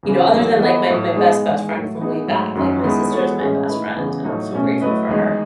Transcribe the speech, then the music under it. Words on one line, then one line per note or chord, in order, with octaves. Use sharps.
You know, other than like my my best best friend from way back, like my sister is my best friend and I'm so grateful for her.
E2 C#3 E3
E2 D#3 F#3
E3 B3 E4 A4 D#5
A2 F#3 A3
G#3 B3 D#4 G#4 D#5
E2 D#3 G#3
A2 F#3 A3
E3 B3 D#4 G#4
G#2 F#3 A3
F#2 D#3 F#3 C#4
D#3 G#3 B3 E4
G#3 B3 F#4 A4 C#5
A2 E3 G#3 C#4 G#4
D#3 A3 E4 B4 D#5
E2 C#3 E3 B3
A2 F#3 A3 D#4
B2 A3 C#4
F#3 A3 E4 B4 D#5
E2 D#3 G#3 D#4 G#4